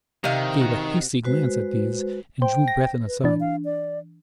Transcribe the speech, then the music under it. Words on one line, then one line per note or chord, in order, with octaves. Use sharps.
He gave a hasty glance at these and drew Breton aside.
C3 D#3 D#5 F5
F#4
G#3 F#4 B4 C5
C5 G5
A#6
B4
E3 D4 D5
F5
D5